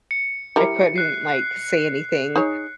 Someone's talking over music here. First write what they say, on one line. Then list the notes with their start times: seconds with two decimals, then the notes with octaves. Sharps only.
I couldn't, like, say anything.
0.11 C#7
0.56 G3 E4 A#4
0.96 F#6 C7
2.36 D#4 G#4 C#5